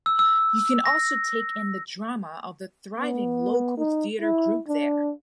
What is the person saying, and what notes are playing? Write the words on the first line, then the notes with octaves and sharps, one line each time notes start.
You can also take in the drama of the thriving local theatre group there.
E6
E6
A#6
B3
D#4
E4
D4